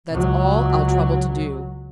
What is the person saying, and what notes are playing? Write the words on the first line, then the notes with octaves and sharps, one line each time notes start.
That's all I'll trouble to do.
C#2 F#3